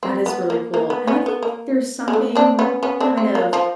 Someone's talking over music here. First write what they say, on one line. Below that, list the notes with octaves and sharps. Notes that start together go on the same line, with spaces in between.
That is really cool, and I think there's something, kind of,
C4
B3
A#3
A#3
B3
B3 C#4
B3
A#3
G#3
A3
C4 D4
B3 C#4
B3 C#4
C4 D4
C4
A#3
F3